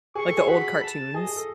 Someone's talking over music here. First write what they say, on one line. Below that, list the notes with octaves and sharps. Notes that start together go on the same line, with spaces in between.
Like, the old cartoons.
G#4 C#6
A4
G#4
F#4 B5
A5
G#4 D#5
G#4
A4